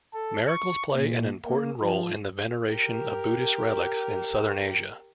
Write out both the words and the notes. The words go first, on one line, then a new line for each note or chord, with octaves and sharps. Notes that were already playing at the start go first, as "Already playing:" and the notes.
Miracles play an important role in the veneration of Buddhist relics in Southern Asia.
A4
C#6
A#2
A#3
F3
G4 A#4